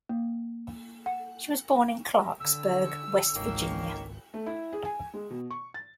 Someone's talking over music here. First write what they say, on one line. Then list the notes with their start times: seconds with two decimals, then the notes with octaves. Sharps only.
She was born in Clarksburg, West Virginia.
0.09 A#3
1.06 F#5
2.40 D3 E6
3.34 G#1 C#2 D#3 A#3 C#4
4.34 A3
4.46 E4
4.73 G#4
4.85 G#5
5.14 G#3
5.30 B2
5.50 C#6
5.74 A6